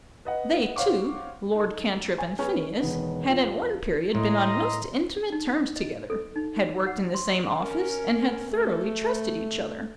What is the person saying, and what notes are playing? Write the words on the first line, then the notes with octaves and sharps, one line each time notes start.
They two, Lord Cantrip and Phineas, had at one period been on most intimate terms together;--had worked in the same office, and had thoroughly trusted each other.
B4 D#5 F#5
C5 C#5 F5 F#5 C#6 D6
D#4 A4
G#5
B3 C#4 G#4
E1 D#3 B3
F2 F3
A2 D#5 A#5 C6
D#4
D#5
A4
D#4
F#5
C6
C#4 A#4
A3